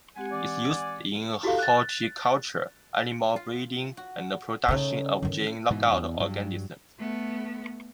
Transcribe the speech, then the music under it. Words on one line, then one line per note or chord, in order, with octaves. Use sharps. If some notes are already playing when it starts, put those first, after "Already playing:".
It is used in horticulture, animal breeding and in production of gene knockout organisms.
G#3 C4 G4 F#5 G#5
E3 C4 D5
E4 F#4 G4 A4 F5
F#6 A6
F4
F#4
C#3 A3 C#4 D#4
D#3 E3
G#2 B2 E3
E2
G2 F#3
A3 B3